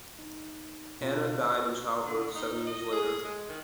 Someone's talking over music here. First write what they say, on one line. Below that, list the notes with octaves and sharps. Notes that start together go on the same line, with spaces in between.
Anna died in childbirth seven years later.
D#4
B2 F4
D3
D#4
D#5
G#4
G#3
D#3